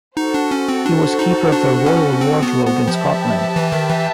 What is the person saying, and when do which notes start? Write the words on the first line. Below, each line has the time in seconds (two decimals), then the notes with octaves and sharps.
He was keeper of the royal wardrobe in Scotland.
0.17 D#4 F#4 A4 C5
0.34 D4
0.51 C#4
0.69 C4
0.86 D4
1.19 D#4
1.52 D4
1.86 C#4
2.21 C4
2.43 B3
2.66 B3
2.88 F3 G4 B4 E5 A5
3.56 E3
3.72 D#3
3.89 E3